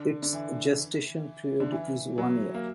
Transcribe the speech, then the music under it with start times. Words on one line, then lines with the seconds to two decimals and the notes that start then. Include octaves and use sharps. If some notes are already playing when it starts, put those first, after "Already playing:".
Its gestation period is one year.
Already playing: D3
0.22 D3
0.33 E3
1.60 D3
1.72 E3
2.18 F#3
2.55 A#3